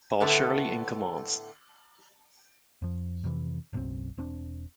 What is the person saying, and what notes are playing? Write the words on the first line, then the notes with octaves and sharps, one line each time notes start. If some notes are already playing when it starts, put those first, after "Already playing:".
Paul Shirley in command.
A2 D3 A3 B3 A4
F2 F3
F2 C3 E3
F#1 B1 F#2 C4
E1 C4 D4